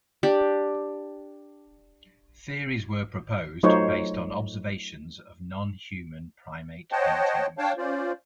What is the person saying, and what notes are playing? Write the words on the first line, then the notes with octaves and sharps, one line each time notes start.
Theories were proposed based on observations of non-human primate paintings.
D4 G4
F#3 A3 D#4 F4 C5 C#5
C5 C#5 D#5 F#5 G5 A5
D4 C#5 F5 G5 A5
C#4 F4 C5 D5